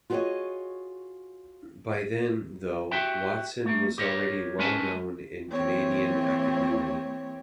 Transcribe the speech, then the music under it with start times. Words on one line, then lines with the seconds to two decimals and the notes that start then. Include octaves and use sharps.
By then, though, Watson was already well known in Canadian academe.
0.10 F4 F#4 G#4 C5 C#5 D#5
2.91 F#4 G4 E5 G5
3.65 A3 A#3
3.98 G4 A#4 C#5
4.59 G#3 C#4 A#4 B4 G#5 A5
5.50 E3 A#3 C4 G4 C#5